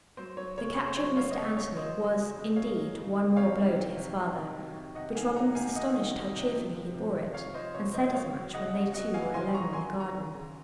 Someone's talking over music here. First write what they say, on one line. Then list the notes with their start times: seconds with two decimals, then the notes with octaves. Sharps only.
The capture of Mr. Anthony was, indeed, one more blow to his father; but Robin was astonished how cheerfully he bore it; and said as much when they two were alone in the garden.
0.17 F#3 C5
0.37 F#3 C#5
0.57 C#3 C#5
0.77 C#3 C5
0.97 F#3 C#5
1.17 F#3 C#5 F5
1.31 D#5
1.38 C#3 C#5
1.57 C#3 C#5
1.77 F#3 C5 D#5
1.97 F#3
2.17 C#3
2.36 C#3
2.56 F#3 C#5 F5
2.77 F#3
2.96 C#3
3.16 C#3
3.36 C3 C#5 F5
3.56 D#3
3.76 F#3
3.96 C3
4.16 C3
4.36 D#3
4.56 F#3
4.76 C3
4.95 C3 D#5 F#5
5.15 D#3 F5 G#5
5.35 F#3 F#5 A#5
5.55 C3 F5 G#5
5.68 G#5
5.75 C3 D#5 F#5
5.95 D#3
6.16 F#3
6.36 C3
6.55 F3
6.74 F3
6.94 C3
7.15 C3
7.34 F3 C#5 F5
7.54 F3 C5 D#5
7.74 C3 C#5
7.94 C3 C5 D#5
8.14 F#3 C#5 F5
8.34 F#3
8.54 C#3 D#5 F#5
8.74 C#3
8.94 F#3 D#5 F#5
9.14 F#3 F5 G#5
9.34 C#3 G#5 C6
9.54 C#3 A#5 C#6
9.73 F#3 G#5 C6
9.93 F#3
10.00 A#5 C#6
10.14 C#3
10.34 C#3